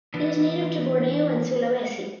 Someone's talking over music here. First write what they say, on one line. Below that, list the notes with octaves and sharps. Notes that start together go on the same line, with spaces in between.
It is native to Borneo and Sulawesi.
E3 B3 D4